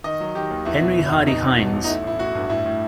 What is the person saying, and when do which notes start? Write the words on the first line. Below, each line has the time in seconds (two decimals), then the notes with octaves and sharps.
Henry Hardy Heins.
0.04 D#3 D#5
0.20 F#3
0.35 D#3 G4
0.50 D#2
0.65 E2 E4
0.82 B2
0.96 F#1
1.12 E2
1.27 B2 D#4
1.42 B1
1.58 B2
1.73 B1
1.84 D#4
1.88 A3 E4
2.04 A1 E4
2.19 A3 F#4
2.35 G2
2.49 A2 E4
2.66 A2